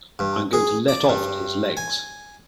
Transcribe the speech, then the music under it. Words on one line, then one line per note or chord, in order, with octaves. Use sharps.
I'm going to let off at his legs.
G2
G#4
D5
G2
G#5